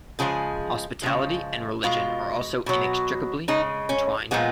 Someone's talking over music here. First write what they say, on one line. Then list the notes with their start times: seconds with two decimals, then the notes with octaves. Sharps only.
Hospitality and religion are also inextricably entwined.
0.19 C#3 F3 G#3 G#4
1.02 C#3 F3 G#3
1.83 B2 G#3 F4
2.66 B2 F#3
3.48 C#3 G#3 D#4
3.89 C#4
4.31 A#2 F3 G#3 B3